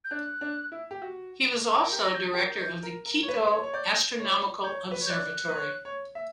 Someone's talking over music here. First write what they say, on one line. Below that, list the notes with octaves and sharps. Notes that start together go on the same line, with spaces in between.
He was also director of the Quito Astronomical Observatory.
G6
D4 F#6
D4
E4
G4
F#4
A#4
G4 G6
A#6
G6
G4
A#4 G6
A#4
A#4
C#5
B4
B4
C#5
C#5
D5 G6
C#5
C#5 G6
B4
C#5
G6
D5 F#6
B4
C#5
C#5
E5